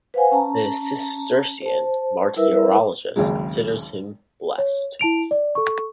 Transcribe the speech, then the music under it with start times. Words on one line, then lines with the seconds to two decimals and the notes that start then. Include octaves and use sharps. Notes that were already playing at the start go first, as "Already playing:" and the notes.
The Cistercian/ martyrologist considers him blessed.
0.14 B4 C5 F5 F#5 G#5
0.32 C#4 A5 A#5
1.62 C5 A5
2.36 G3 E4 A#4 B4 E5 E6
3.16 G#1 D#2 C#3 F#3 G#3
4.58 C#5
4.99 E4 A5 D7 F7
5.31 D5
5.55 A4 C#6